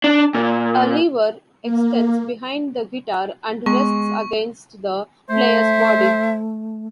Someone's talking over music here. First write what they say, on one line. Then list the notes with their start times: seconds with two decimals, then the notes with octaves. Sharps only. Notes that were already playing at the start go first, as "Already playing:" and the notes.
A lever extends behind the guitar and rests against the player's body.
0.04 D4
0.35 A#2
1.63 A#3
3.66 G#3 B3 C#6
5.29 A3 C5 E5